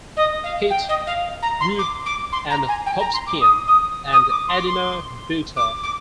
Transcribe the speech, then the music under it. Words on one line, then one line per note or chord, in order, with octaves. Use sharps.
Pit, Grube and Hovsepian and Adina Butar.
D#5
F5
G5
D#5
F5
A#5
C6
D6
D6
C6
A#5
G#5
G5
A#5
C6
D6
D#6
D#6
D#6
D6
C6
D6
C6
D6
D6